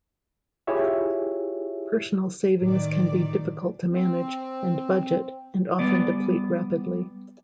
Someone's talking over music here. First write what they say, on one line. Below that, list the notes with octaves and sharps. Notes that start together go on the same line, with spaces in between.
Personal savings can be difficult to manage and budget and often deplete rapidly.
E4 F4 G4 G#4 C#5 E5
A2 D#3 D5
C4
G3 B3 D5